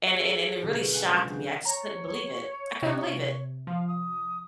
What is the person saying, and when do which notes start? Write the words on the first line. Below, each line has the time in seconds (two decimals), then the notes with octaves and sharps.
And it and and it really shocked me, I just couldn't believe it, I couldn't believe it.
0.11 G#4 A4
0.62 C#2 B2 D3 F#3 G3
0.94 F5 F#5 G#5 F#6
1.09 G#3 F4
1.25 C#3 F#3 C4 D4
1.65 C#5 A#5
2.82 C3
3.67 F3 F5
3.88 D#6